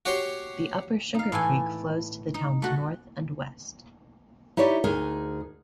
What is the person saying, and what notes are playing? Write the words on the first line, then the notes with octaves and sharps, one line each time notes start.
The Upper Sugar Creek flows to the town's north and west.
F#4 G4 C#5 C6
D#4 F5
A2 E3 A4 G#5
D#4
A3 F#4
D#4 E4 G4 C#5 D5 E5
D2 D#4 G#4 A#4